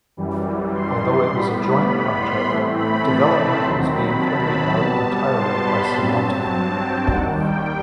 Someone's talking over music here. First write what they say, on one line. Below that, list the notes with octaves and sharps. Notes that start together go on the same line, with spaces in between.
Although it was a joint project, development was being carried out entirely by Symantec.
F#2 E3 G3
C6
C6
A2 G3 B3 B5
B5
C6
A2 E3 A3 C4
B5
A5
B5
D#2 D#3 F#3 C4 C6
B5
A5
B5
B2 G3 B3 A5
C6
B5
G2 F#3 C4 A5
G5
D#2 D#3 G3 F#5
G5